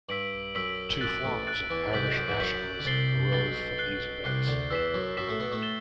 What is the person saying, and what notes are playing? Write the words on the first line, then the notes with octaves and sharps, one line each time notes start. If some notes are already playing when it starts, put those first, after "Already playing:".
Two forms of Irish nationalism arose from these events.
G2 E6 B6 D7 F#7
F#2 E6 B6 D7 F#7
F#2 F#6 A6 D7
A1 A2
F#6 A6 D7
E2 E3
C2 C3 G6 B6 F#7
B1 B2
F#2
E2 E3
F#2 F#3 G6 B6 F#7
D3
C2 C3 A6 C7 G7
B1 B2 A6 C7 G7
F#6 C7 G7
C2 C3 F#6 C7 G7
D2 D3
E2 E3 E6 B6 E7
F#2 F#3
F#2 F#3 E6 B6 E7
A2 A3
B2 B3
A2 A3
A6 E7 G7